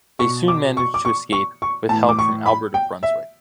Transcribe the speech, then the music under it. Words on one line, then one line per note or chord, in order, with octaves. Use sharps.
They soon managed to escape with help from Albert of Brunswick.
B2 C#6
D6
C#6
D6
C#6
C#6
C#6
A2 E3 A5
D6
C#6
B5
G5
E5